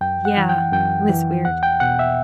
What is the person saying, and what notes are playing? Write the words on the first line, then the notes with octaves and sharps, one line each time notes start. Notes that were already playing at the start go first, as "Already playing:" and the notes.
Yeah. It was weird.
F#2 G5
F#5
E3
G5
F#2 G5
E3
E2 F#5
G5
B2 F#5
E5